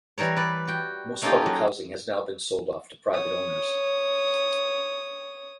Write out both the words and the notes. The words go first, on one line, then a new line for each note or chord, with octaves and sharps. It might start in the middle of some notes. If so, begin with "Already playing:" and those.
Most public housing has now been sold off to private owners.
E3 G3 A#4 C#5
B4 D5
F#4 G5
A3 A#3 C#4 D#4 F4 G4
F#3
C#5 D#6